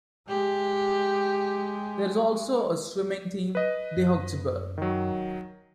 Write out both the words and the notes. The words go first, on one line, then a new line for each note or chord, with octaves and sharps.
There is also a swimming team: De Hokseberg.
G#3 G4
B4 D#5
F#2
D#3 F#3